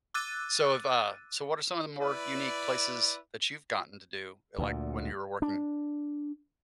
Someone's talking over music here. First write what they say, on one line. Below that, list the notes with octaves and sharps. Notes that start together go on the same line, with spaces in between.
So if, uh, so what are some of the more unique places that you've gotten to do, eh, like when you were working,
D6 E6 F#6 A6 D#7
E4 B4 D5
D2 A#2
D4